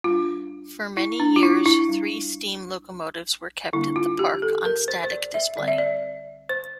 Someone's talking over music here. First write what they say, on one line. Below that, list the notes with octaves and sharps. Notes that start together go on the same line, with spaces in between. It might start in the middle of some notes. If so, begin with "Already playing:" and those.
For many years, three steam locomotives were kept at the park, on static display.
G3 D4 F4
E4
D4
F4
E4
E4
G3 D4
D3 G3 A#3 D4 E4
F4
G4
A4
A#4
C5
C5
D5
E5
D3 G3 C4 D5
E5
D5
C5